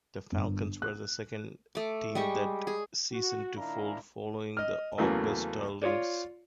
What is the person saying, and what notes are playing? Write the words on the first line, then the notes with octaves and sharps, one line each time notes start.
The Falcons were the second team that season to fold, following the Augusta Lynx.
G1
F#6
A3 D6
G3 G#3 G4 C#6
G#4
F#4
A#2 D#3 D4 E4 F5 A#5
D#5 F6
E2 C#3 E3 F#3 A3 A#3
F4 C#5 D5